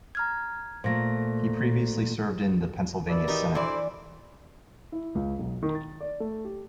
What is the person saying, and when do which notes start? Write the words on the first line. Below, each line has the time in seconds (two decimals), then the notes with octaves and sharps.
He previously served in the Pennsylvania Senate.
0.15 A#5 F6 G#6
0.84 A#2 A3 C5 A#6
3.10 B2 E4 D5
3.28 D#4 G4 A#4
3.55 D2 E3 E4 C5 D5
4.92 E4
5.15 C#2
5.39 B1
5.63 D#3
5.75 A6
6.01 D5
6.20 A3
6.45 G4